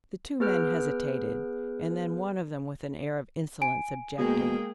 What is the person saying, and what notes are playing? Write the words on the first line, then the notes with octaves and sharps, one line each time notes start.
The two men hesitated, and then one of them with an air of insolence objected.
B3 G#4 B4 F6 G6 D7
G#5 D7
B2 G#3 A#3 G#4 G5